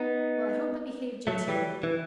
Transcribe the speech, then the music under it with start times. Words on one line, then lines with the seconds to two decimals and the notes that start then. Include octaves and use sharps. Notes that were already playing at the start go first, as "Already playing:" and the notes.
"Well, I hope I behave genteely?"
Already playing: B3 D#4
1.27 F#3 A3
1.48 E3 G3
1.83 E3